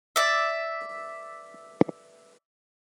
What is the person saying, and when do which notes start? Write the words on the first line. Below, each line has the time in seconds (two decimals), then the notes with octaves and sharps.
I have made my way through three years of posts.
0.16 D5 E5